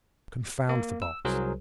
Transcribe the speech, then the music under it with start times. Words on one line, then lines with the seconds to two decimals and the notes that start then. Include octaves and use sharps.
Confound the box!
0.69 A#3
1.02 E6
1.25 C2 F#3 G#4 A#4 C5